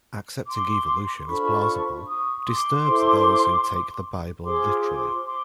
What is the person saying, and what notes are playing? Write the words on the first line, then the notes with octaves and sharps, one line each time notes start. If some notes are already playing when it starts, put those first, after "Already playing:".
Accepting evolution as plausible "disturbs those who take the Bible literally".
C6 D6
D4 F4 A4 C5 B5 C#6
C#6 D#6
C6 D6
E4 A4 C5
F4 G#4 C5 C6 D6
C6 D6
C6 D6